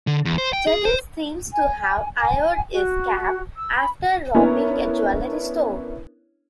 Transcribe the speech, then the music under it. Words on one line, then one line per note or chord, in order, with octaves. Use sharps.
Jadis seems to have "hired" his cab after robbing a jewellery store.
D3
E2
C5
G5
G#4
C5
G#5
G#5
F#4
E6
B5
B3 C#4 D4 E4 A#4 C#5